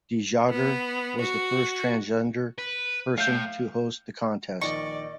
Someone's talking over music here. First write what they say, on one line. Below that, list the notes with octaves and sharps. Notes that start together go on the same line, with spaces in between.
De Jager was the first transgender person to host the contest.
B3
F#4
B4
A2 F5 G6
A#1 D#3 D5 D#5 C#6 A6